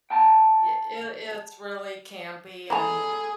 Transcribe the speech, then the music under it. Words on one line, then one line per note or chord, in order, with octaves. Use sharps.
y it it's really campy, and
G5 A5 A#5
E3 G#3 G#4 A4 G#5 A#5 B5